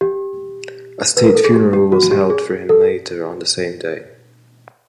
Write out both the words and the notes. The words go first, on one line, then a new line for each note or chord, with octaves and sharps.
A state funeral was held for him later on the same day.
G4
B4
A#4
A4
G#4
G4
G4
F#4
G4
G#4
A4